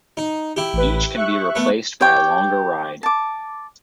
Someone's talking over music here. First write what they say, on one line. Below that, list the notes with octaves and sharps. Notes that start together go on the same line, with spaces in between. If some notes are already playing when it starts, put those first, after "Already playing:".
Each can be replaced by a longer ride.
D#4
E4 G4
A1 B4
E5 C#6 F#6
A3 B3
G4 C#5 G5
A5 D6